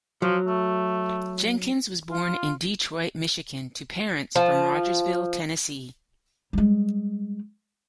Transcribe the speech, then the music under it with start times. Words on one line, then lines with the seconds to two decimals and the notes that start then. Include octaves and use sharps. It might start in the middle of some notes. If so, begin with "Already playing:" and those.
Jenkins was born in Detroit, Michigan to parents from Rogersville, Tennessee.
0.22 F3 F#3
0.47 A3
2.10 F4
4.36 F3
6.53 G3 G#3